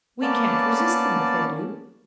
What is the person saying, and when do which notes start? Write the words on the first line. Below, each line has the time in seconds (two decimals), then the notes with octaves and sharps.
We can't resist them, if they do.
0.22 A#3 B3 C#4 D5 A5